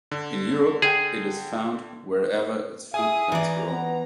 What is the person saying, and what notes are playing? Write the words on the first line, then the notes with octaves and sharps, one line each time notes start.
In Europe it is found wherever its food plants grow.
D3
D3 G#4 G5
G#4 E5 G#5 D#6
E3 D5 A#5
B3